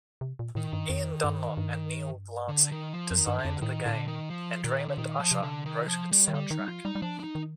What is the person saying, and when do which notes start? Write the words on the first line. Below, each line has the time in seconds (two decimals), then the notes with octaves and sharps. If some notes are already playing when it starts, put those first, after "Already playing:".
Ian Dunlop and Neill Glancy designed the game, and Raymond Usher wrote its soundtrack.
0.21 C3
0.39 A#2
0.55 A2 D#3
0.73 G2
0.89 F2
1.24 G2
1.57 G2
2.48 D3
2.72 D#3
2.93 F3
3.11 F2
3.17 D#3
3.27 G2
3.38 D3
3.45 F2
3.61 A2 D#3
3.85 A2 D3
3.96 A#2
4.08 D#3
4.30 F3
4.64 A#2 D#3
4.88 D3
4.98 A#2 D#3
5.20 F3
5.31 C3
5.42 D3
5.66 D#3
5.88 F3
6.12 G3
6.28 D#3
6.33 D3 G3
6.51 D#3 D#4
6.59 G3
6.68 F3 F4
6.85 G3 D#4
6.95 G3
7.02 F3 D4
7.20 D4
7.24 D#4
7.35 D#3